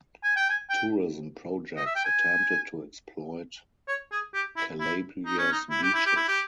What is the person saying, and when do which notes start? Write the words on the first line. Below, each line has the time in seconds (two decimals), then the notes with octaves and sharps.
Tourism projects attempted to exploit Calabria's beaches.
0.24 G#5
0.37 G5
0.50 G#5
0.70 G5
1.76 D#5
1.86 E5
1.96 G5
2.05 G#5
3.88 C#5
4.12 G#4
4.34 G4
4.57 E4
4.80 E4
5.26 D#4
5.38 C#4
5.52 D#4
5.70 E4
5.83 G4
5.94 E4
6.06 G4
6.16 E4
6.28 G4